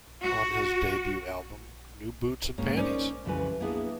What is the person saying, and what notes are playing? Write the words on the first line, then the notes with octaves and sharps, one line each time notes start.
On his debut album, New Boots and Panties!!
F#4
G#2 A#3 B3 C#4 C#5
C#4 D#4 A#4 C5 D5
F2 C#3 E3 G3 B4 G#5
A#3 B3 D4 E4 G#4